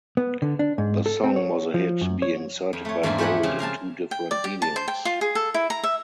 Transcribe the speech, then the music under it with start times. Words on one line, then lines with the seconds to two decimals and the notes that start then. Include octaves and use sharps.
The song was a hit, being certified gold in two different mediums.
0.17 B3
0.42 D3
0.59 D4
0.78 G#2
1.06 A4
1.24 C4
1.36 C#5
1.74 F3
2.01 F#2
2.22 C#5
2.73 F2
2.85 A3 C#5
3.03 E2 G#2 A#3 D4 F4 G#5
3.18 A3 E4 G4 G#4 A#4 F#5
3.43 C#3 F3 C4
3.59 A#4 F5 G#5 A5
4.11 G5
4.31 D5
4.44 G4
4.62 A5
4.76 C5
4.88 G5
5.05 F4
5.21 G#4
5.35 A4
5.54 E4
5.70 A#5
5.83 E5